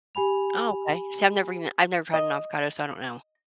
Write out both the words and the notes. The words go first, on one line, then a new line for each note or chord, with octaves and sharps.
Oh, okay, see, I've never even I've never had an avocado, so I don't know.
G4 G#5 B5 F7
D#5